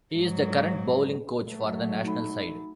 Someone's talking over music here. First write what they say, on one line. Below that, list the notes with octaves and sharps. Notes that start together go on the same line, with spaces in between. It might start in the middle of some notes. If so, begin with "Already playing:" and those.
He is the current bowling coach for the national side.
G#2 F#3
F#3 A3
D#4 B5